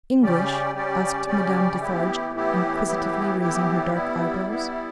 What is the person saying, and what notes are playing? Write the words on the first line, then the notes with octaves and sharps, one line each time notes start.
"English?" asked Madame Defarge, inquisitively raising her dark eyebrows.
C#3 G3 C#4 G4 D5
C#3 G3 C#4 G4 D5
C#3 G3 C#4 G4 D5
A2 E3 B3 E4 G4
A2 E3 B3 E4 G4
A2 E3 B3 E4 G4
A2 E3 B3 E4 G4
G3 B3 E4
G3 B3 E4